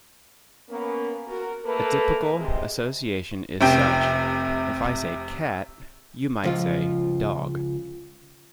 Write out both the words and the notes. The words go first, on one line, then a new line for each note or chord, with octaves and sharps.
A typical association is such: if I say "cat", you might say "dog".
A#3 B3 C#4
F#4 A#4
A3 A#3 A4 B4
C3 G#3
F1 C3 G5
C#2 F3 F4